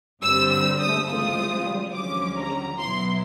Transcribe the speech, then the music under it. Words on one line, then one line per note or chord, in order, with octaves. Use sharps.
Nakane was deported and moved to Canada.
G2 D3 G3 C4 E6
E6
D#6
C#3 E3 G#3 C4 F4 D#6
D#2 D3 F3 G#3 C#4 D6
A#5
B2 F#3 B3 E4 C6